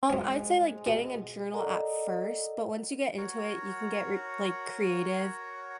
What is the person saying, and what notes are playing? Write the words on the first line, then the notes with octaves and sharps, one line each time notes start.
Um, I'd say, like, getting a journal at first, but once you get into it, you can get re like, creative,
F#2 G#3 C4
B2
A4 A#4 D5 D#5 F#5 A#5
F#4 A#4 C#5 F#5